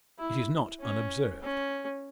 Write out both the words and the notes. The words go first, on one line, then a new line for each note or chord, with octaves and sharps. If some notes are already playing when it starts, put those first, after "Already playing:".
It is not unobserved.
E4
C#4
C#4